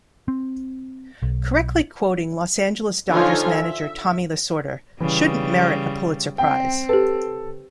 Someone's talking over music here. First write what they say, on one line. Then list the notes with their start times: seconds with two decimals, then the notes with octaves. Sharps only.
Correctly quoting Los Angeles Dodgers manager Tommy Lasorda shouldn't merit a Pulitzer Prize.
0.28 C4
1.22 B1
3.09 D3 F3 D#4 F4 C#5 G#5
3.48 E5
5.00 C#3 E3 G3
6.38 C4 G5
6.89 G4 A4 B4